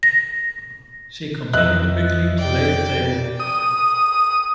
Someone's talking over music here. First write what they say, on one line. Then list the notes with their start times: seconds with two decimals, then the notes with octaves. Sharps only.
She continued quickly to lay the table.
0.03 A#6
1.54 F2 D#5 E5 F#6
2.38 D5 G5
3.40 D#6